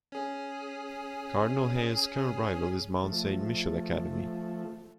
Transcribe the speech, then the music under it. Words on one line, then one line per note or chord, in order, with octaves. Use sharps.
Cardinal Hayes' current rival is Mount Saint Michael Academy.
C#4 G#4
F3 A3